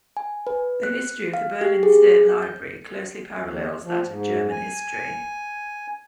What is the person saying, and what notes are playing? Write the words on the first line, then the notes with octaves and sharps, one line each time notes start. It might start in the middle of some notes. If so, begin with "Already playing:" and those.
The history of the Berlin State Library closely parallels that of German history.
G#5
B4
F#6
F5
G4
G#4
G6
D#2
F3
G#2
G#5